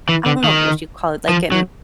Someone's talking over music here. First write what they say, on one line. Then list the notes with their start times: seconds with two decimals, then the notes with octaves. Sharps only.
I don't know what you call it, like in
0.09 E3
0.26 D3
0.44 D#3
1.29 F3
1.52 F#3